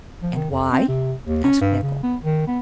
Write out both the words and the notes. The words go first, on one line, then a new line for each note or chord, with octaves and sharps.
"And why?" asked Nicholl.
F3
D#3
F2
C4
C3
D#2
C#4
G2
C#3
B3
D#3
B3